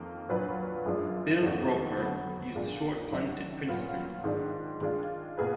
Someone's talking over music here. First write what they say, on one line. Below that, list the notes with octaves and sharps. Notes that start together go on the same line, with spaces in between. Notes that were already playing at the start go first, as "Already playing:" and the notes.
Bill Roper used the short punt at Princeton.
Already playing: F2 D#3 A#3
A#2 F#3 D4 F4 B4
F#2 F3 G#3 D4 F4
F2 D#3 F#3 D4 F#4
D3 F#3 B3
A#2 G#3 D4 F4
D#3 F#3 D4
A#2 F#3 B3 F4
G#2 D#3 G#3 D4 F4
D#3 G#3 D4 F4
B2 A#3 F4 G#4 B4